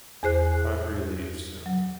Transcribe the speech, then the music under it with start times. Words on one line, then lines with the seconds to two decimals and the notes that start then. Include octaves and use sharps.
Audrey leaves him.
0.23 E2 G#4 C5 F#6
1.66 F#3